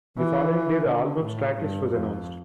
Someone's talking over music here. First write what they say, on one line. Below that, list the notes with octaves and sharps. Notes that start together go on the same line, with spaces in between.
The following day the album's track list was announced.
E3
D3
A2
G2
F2